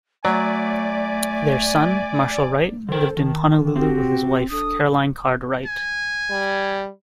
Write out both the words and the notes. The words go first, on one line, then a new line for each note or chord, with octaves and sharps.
Their son, Marshall Wright lived in Honolulu with his wife, Caroline Card Wright.
F#3 A3 D5 G#5
D3 A4 A#4 C5
D#3 A5
C4 F#4 G4
D4 A4 D#6
G#5
G3